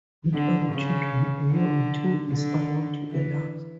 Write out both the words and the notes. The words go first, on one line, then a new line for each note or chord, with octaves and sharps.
With other children, a year or two is allowed to elapse.
D3
C#3
D3
D3
E3